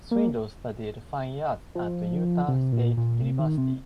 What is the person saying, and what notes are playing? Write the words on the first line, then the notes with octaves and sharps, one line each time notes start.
Swindle studied fine arts at Utah State University.
A#3
F3
C3
A#2
A#2
C3
D#3
C3